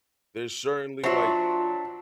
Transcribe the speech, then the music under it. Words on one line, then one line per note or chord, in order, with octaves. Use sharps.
there's certainly, like,
F#3 D4 F4 C5 E5 C6